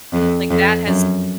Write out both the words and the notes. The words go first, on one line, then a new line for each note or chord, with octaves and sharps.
Like, that has
F2
F2
F#2